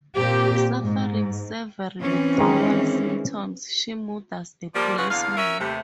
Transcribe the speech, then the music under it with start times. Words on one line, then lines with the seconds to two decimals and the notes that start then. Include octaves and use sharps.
Suffering severe withdrawal symptoms, she murders a policeman.
0.16 A#2 C4 G4
0.80 G#2
2.01 E3 C4 C#4
2.38 D#3 G#3
4.75 F3 G3 A#3
4.97 C#3 E3 F4 F#4 G#4 B4
5.10 E2 D3 A#3 F5
5.37 C#4 F#4 A#4 E5
5.59 D#2 C3 A3